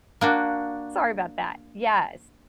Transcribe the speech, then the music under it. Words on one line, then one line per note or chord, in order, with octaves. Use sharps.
sorry about that, yes.
A#3 D4 F#4